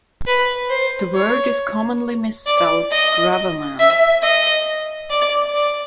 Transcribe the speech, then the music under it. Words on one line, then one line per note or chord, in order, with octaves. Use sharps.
The word is commonly misspelled "gravaman".
B4
C5
C#5
D5
D#5
E5
D#5
D5
D5